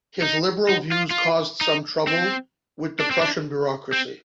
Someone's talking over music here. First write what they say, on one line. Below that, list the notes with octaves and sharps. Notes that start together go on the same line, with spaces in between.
His liberal views caused some trouble with the Prussian bureaucracy.
D#4
D#4
F4
F4
D#4
C4
D4
C4
D4
C4